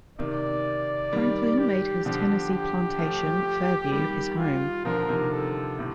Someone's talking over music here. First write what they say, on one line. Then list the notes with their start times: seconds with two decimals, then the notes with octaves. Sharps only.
Franklin made his Tennessee plantation, "Fairvue," his home.
0.19 C3 D#3 D5
1.12 D#3 G3
1.59 G4
2.05 D3 F3 G4
2.52 G4
2.99 F3 A3
3.92 D#3 G3 G4
4.39 F4
4.85 D3 F3 A#4
5.08 C3 D#3
5.32 A4
5.79 A2 C3